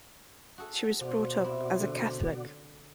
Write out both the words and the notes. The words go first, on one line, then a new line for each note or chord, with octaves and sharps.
She was brought up as a Catholic.
F#4 G#4 A4
B2 F4 F#4 C5 D5
C3 E4
D3